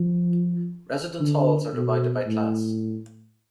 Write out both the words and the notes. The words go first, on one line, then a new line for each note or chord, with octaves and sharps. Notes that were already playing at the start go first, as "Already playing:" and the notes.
Residence halls are divided by class.
Already playing: F3
D3
B2
A2